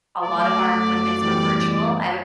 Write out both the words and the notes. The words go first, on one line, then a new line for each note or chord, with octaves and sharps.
a lot of our appointments were virtual, I would
F#1 F#3 A3 D5
E2 A2 G3